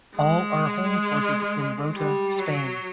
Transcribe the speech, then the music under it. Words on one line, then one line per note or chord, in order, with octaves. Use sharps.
All are homeported in Rota, Spain.
G#3
G3
F#3